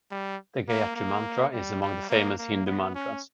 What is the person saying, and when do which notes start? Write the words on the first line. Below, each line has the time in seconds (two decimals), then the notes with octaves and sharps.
The Gayatri mantra is among the famous Hindu mantras.
0.11 G3
0.68 A#3
0.95 A#3
1.53 G3
1.82 G3
2.10 A#3
2.38 A#3
2.66 B3
2.94 C#4